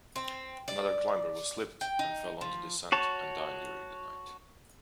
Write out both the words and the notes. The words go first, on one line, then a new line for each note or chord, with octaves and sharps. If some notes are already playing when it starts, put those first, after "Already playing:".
Another climber was slipped and fell on the descent and died during the night.
C4
D5
G5
D#4
F3
F#4 C#5 A5